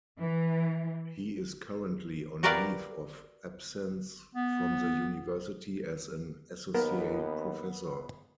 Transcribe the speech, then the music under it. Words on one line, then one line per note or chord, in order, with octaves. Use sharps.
He is currently on leave of absence from the university as an associate professor.
E3
F#4 G4 A#4 B4 D5 F5
B3
D#2 B3 A#4